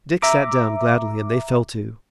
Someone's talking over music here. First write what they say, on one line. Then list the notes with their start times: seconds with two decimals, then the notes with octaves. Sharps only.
Dick sat down gladly, and they fell to.
0.22 E5 A#5 D6